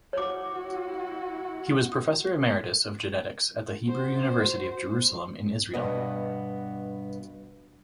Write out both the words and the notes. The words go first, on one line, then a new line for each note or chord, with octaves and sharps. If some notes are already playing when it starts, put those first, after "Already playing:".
He was professor emeritus of genetics at the Hebrew University of Jerusalem in Israel.
E4 F#4 C#5 D6
F#4 C5
G2 B2 B3 D#5